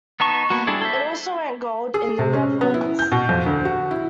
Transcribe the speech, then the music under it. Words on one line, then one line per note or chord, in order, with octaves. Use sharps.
It also went gold in The Netherlands.
B3 D#4 A5 C#6
A#3 B3 F#4
G3 D4 E4 G#4 A4
A4 C5 E5
G#4
C3
C#4
B3
E4
G6
B2
F2
D2
F#4
E4